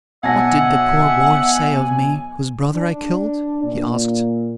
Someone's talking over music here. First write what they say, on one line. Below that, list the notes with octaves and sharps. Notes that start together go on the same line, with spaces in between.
"What did the poor boy say of me, whose brother I killed?" he asked.
B1 E5 F#5 G#5 A5 A#6
D4
A#2